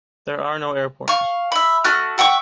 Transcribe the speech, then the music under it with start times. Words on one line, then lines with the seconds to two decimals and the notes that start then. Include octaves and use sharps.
There are no airports.
1.08 F5 C#6
1.52 E5 B5
1.84 A3 F#4 F6 F#6
2.18 E5 F#5 G5 C#6